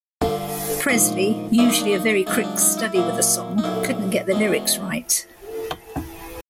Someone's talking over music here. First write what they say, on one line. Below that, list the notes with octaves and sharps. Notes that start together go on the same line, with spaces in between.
Presley, usually a very quick study with a song, couldn't get the lyrics right.
G2 D3 G3 F4
A#1 G#2 D#3 F4
G2 D#3 G3 A#3 C#4 E4
D#4
D4
D#4
C#2 C#3 F#3 D#4
D4
D#4
E4
A#2 F#3 A#3 E4
D#4
B1 A#2 F#3 E4
E2 B2 G#3 C#4